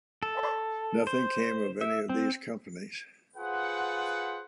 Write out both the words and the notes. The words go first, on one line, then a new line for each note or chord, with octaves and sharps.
Nothing came of any of these companies.
A4
C5
E5
C4
F4 G#4 B4 C5 F#5